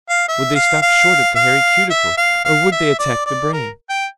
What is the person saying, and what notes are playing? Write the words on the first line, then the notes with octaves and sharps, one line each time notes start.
Would they stop short at the hairy cuticle, or would they attack the brain?
F5
E5
F5
F5
F5
E5
F5
F5
E5
D5
D5
A#4
G5